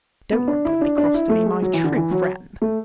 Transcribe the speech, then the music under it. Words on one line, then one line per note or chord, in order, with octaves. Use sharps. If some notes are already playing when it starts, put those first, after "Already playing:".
Don't grumble and be cross to me, my true friend.
B3
D4
E4
D4
D4
E4
A3
G#3
F#3
E3
D3
E3
F#3
A3